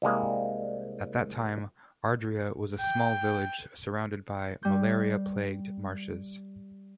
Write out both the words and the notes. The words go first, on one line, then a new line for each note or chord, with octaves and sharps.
At that time Adria was a small village surrounded by malaria-plagued marshes.
C2 G3 G#3 A#3
G5
G3 G6